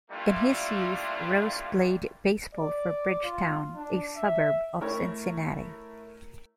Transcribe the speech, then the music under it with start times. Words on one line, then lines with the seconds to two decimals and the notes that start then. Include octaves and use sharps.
In his youth, Rose played baseball for Bridgetown, a suburb of Cincinnati.
0.11 G3 A3 A#3 D4 E4 F4
2.54 D5
3.24 F4
3.76 D4
4.16 E5
4.81 A3 E4 A#4 C#5